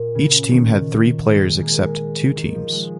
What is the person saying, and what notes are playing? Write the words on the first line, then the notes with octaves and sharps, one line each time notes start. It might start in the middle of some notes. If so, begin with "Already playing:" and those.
Each team had three players except two teams.
Already playing: A#2
C#3
D#3
G#3
A#3
G#3
D#3
F3
G#3